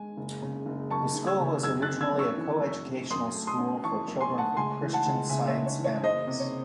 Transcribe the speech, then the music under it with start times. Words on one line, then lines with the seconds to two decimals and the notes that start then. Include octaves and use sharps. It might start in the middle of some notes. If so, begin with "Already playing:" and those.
The school was originally a co-educational school for children from Christian Science families.
Already playing: G#3 G#5
0.17 F#1
0.42 C#3
0.66 F#1
0.91 F#2 A5 C#6
1.16 F#1
1.27 E6 G#6
1.39 C#3
1.63 F#2 E6 G#6
1.82 F#6 A6
1.89 C4
2.01 E6 G#6
2.13 F#2
2.19 C#6 E6
2.37 E3
2.61 F#2
2.87 C4
3.10 F#2 C6 D#6
3.34 A3
3.47 C6 D#6
3.59 C#4
3.84 E3 A5 C#6
4.08 F#2
4.21 G#5 C6
4.32 A3
4.38 F#5 A5
4.57 C#2 G#5 C6
4.82 E3
4.93 F#5 A5
5.06 C#2
5.29 C#3 E5 G#5
5.48 C#5 E5
5.55 C#2
5.66 C#5
5.79 E3
5.84 C#5
6.03 F#1 C5 D#5
6.27 C3
6.40 C#5